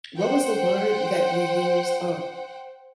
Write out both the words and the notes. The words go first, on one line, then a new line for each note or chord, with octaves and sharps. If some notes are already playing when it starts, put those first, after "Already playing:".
what was the word that you used? Oh
C5 F#5 G5